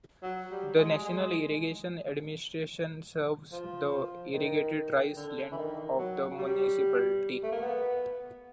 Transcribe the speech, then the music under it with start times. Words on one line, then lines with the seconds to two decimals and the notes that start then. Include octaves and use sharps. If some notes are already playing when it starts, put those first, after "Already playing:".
The National Irrigation Administration serves the irrigated rice land of the municipality.
0.23 F#3
0.51 G3
0.78 G#3
1.05 G#3
3.52 F3
4.34 D#3
5.16 D3
5.52 E3
5.57 D#3
5.99 F#3
6.39 G3
7.43 A3
7.52 A#3
7.62 B3